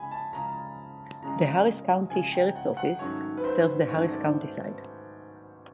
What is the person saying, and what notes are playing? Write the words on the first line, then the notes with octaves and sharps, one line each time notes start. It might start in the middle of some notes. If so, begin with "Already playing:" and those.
The Harris County Sheriff's Office serves the Harris County side.
Already playing: C#3 F3 G#3 G#5 B5
A5
C#3 F3 G#3 C#4 A#5
C#3 F3 G#3 C#4 A#5
C#3 F3 G#3 C#4 G#5
G5
F#5
F#5
G#2 D#3 F#3 A3 C#4 C#5
B4
C5
G#2 D#3 F#3 A3 C#4 C#5
D5